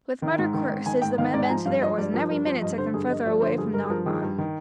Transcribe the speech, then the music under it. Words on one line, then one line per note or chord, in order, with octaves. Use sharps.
With muttered curses the men bent to their oars and every minute took them further away from Knockbawn.
D#3
G#2
D#3
G#2
D#3 G#5
G#2 G5
D#3 F5
G#2 D5
G#5
F3 A#5
G2 F5
F3 D#5
G2 D5
F3 A#4
G2 A#4
F3 C5
G2 D#5
D3 C5
G2 G#4
G2 D#5
F3 D5
D3 C5
G2 G#4
G2 A#4
G#4
F3 A#4
D#3 G#4
G2
D#3